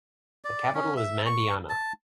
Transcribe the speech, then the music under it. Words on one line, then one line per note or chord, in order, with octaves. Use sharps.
The capital is Mandiana.
D5
C#4
E5
C#6
A5